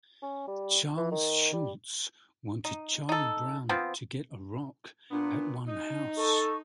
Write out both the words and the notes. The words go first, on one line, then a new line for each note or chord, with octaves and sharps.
Charles Schulz wanted Charlie Brown to get a rock at one house.
C#4
G3
E3
D#3
G3
D#4
D#4 A4
F3 B3 C4
A#2 B3 D4
D#4 D#5
A4 C#6